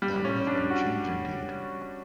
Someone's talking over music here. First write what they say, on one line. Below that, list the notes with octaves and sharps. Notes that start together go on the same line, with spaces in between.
That would have been a change indeed.
G3
C#4
D4
F#4